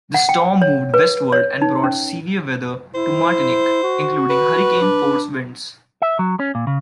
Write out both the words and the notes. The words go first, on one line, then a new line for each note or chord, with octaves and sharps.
The storm moved westward and brought severe weather to Martinique, including hurricane-force winds.
F#5
G5
C#5
B4
C#5
D#4
C#4
E4 C5
F#4
B4
D4
E5
F#3
C#4
A#2
C#3